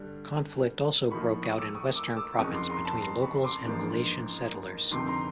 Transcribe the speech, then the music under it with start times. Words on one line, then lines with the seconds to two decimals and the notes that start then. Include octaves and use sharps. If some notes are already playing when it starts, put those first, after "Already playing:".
Conflict also broke out in Western Province between locals and Malaitan settlers.
Already playing: G2 D3 G3
1.11 A2 F3 A#3 D#4 B5 C#6
1.42 C#6 D#6
1.58 D6 E6
1.75 C#6 D#6
1.96 D6 E6
2.17 D6 E6
2.38 F#1 F2 C#3 C#6 D#6
2.54 C6 D6
2.69 A#5 C6
2.85 A5 B5
3.01 A#5 C6
3.22 B5 C#6
3.44 C6 D6
3.65 A1 G#2 F3 A#3 D4
4.91 G1 F2 C3 D#3 C6 D6
5.07 A#5 C6